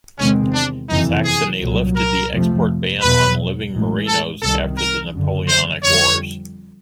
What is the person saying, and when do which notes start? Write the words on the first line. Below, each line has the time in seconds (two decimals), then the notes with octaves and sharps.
Saxony lifted the export ban on living Merinos after the Napoleonic wars.
0.19 E2 C3 D#3 G#3 C4 C#4
0.54 D4
0.90 F#1 F2 C3 E3 D#4
1.25 G#4
1.60 C2 A#2 F#3
1.95 A#4
2.31 F2 C3 F3 A3
3.01 E2 B2 F#3 B4
3.72 A1 A2 E3 G#3
4.08 A4
4.43 C2 C3 D#3 A4
4.78 A#4
5.13 F#1 F#2 D3 F#3
5.49 C5
5.83 F2 D3 G3 C#5